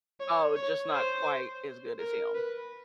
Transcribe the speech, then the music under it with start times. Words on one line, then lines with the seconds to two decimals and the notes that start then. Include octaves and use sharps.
Oh, just not quite as good as him.
0.20 C#5
0.56 C#5
0.92 C5
1.99 A#4
2.35 B4